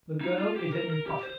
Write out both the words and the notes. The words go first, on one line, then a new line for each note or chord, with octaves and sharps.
The girl is an impostor.
D#4
F4
G4
A#4
A#4
G4
C5